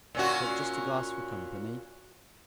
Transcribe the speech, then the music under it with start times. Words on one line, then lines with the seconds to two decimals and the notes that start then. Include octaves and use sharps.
"But just a glass for company."
0.15 A#2 C#4 F#4